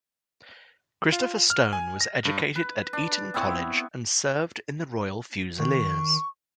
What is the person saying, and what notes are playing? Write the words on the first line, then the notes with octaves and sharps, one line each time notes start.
Christopher Stone was educated at Eton College and served in the Royal Fusiliers.
F4
F6
G#5
A#6
G2
B4
D4
B3 C4 E4 C#6
D#3 C#6